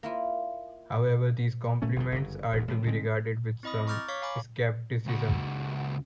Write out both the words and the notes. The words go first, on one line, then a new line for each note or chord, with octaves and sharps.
However, these compliments are to be regarded with some skepticism.
A#3 E4 F4
A#2 A3 C#4
G1 F2 F3
G1 F#2 C#3
E1 D2
A2 C3 D#3 F3
D3 G#3 C4
C4 E4 D#5 B5 D#6
A#5 C#6 D6 F6 G6 A6
C#5 F5 C#6 D6 B6
F5 G#5 A#5 B5 D6
C#2 F#4